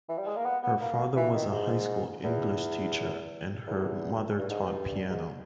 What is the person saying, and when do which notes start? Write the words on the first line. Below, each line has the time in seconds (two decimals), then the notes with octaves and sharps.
Her father was a high school English teacher and her mother taught piano.
0.09 E3
0.18 G3
0.27 G#3
0.36 A#3
0.46 B3
0.63 B3
0.81 A#3
1.16 E3
1.34 D#3
1.52 G#2
2.24 E2
3.67 E2
4.39 G2
4.50 G#2
4.62 G2
5.10 G#2